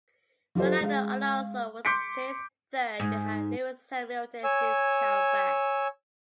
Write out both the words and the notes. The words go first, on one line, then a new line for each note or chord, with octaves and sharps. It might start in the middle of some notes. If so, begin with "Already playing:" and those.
Fernando Alonso was placed third, behind Lewis Hamilton through countback.
F#3 F4 G4 A4 C5
G#3 F5
C6 D6 G6 B6 C#7 D7
G#2
C#5 G#5 E6